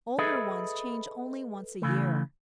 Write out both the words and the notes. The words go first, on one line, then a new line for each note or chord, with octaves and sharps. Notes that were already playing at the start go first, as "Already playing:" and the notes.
Older ones change only once a year.
G#4 A4 B4 D#5 E5
C#3 E3 A3